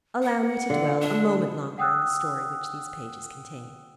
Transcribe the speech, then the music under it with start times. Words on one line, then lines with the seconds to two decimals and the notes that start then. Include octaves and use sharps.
Allow me to dwell a moment longer on the story which these pages contain.
0.23 F#5
0.69 D3 F4
1.01 D4
1.78 F#5 G5 D#6 E6 F#6